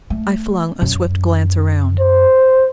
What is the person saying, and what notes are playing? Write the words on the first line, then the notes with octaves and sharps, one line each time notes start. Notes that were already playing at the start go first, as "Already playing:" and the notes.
I flung a swift glance around.
A3
F#2
C5